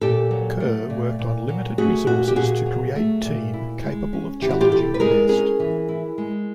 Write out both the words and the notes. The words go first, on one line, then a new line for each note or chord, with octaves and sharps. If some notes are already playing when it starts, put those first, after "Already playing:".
Kerr worked on limited resources to create team capable of challenging the best.
A#2 G4 A4
F#3
A3
A#2
A#2
F#3
A3 F#4 G#4
A#2 F#4
G4
A#2 F#4 G#4
F#3
A3
A#2
E4
G#3
C#4
E3 G4
F#4
F4 G4
E4 G4 A4
B4
G#3 G#4 A#4
C#4 G#4 A#4
E3
E4
G#3